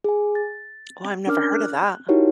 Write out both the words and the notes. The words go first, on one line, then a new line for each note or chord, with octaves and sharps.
Oh, I've never heard of that.
G#4 G#5
A6
C#4 D4 A#4 D6 F6
F#6
D#4 E4 F#4 G4 A#4 C#5